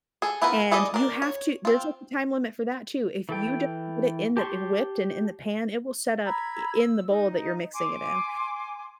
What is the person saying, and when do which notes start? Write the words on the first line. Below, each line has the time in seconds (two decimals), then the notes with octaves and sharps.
and you have to there's, like, a time limit for that, too. If you don't get it in the w whipped and in the pan, it will set up i in the bowl that you're mixing it in.
0.22 G#4 A4
0.42 B3 E4 F4 A#4 B4
0.71 E4 G#4 A4 D5 D#5
0.94 D4 A#4
1.22 C#5
1.65 C4 F4
3.29 E3 A4 G5
4.37 G4 A5 C6 C#6
6.24 A#5 B5 E6 G#6
6.77 E6
7.08 D#4
7.73 G#5 C6 D6